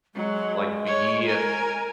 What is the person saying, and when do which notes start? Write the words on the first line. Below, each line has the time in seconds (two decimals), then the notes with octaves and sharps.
like be
0.15 F#3 G#3
0.86 C#5
1.26 A#4 G#5